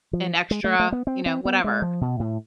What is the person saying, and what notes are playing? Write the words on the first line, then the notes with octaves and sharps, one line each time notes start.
an extra, you know, whatever.
F3
G#3
A3
A3
B3
C4
C4
B3
G#3
F3
B2
A2